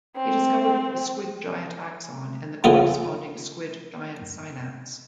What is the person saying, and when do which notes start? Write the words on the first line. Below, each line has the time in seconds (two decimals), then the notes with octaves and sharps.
He discovered the squid giant axon and the corresponding squid giant synapse.
0.17 C4
2.64 C#3 E3 B3 E4 F4